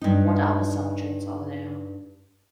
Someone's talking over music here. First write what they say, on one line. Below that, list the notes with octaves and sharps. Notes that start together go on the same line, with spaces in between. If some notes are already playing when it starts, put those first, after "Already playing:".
What other subjects are there?
G2 D#4